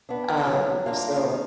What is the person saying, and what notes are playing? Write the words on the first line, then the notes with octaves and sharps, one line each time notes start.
Um, so,
B3 D4
F#3
A#3 D4 F4
D#3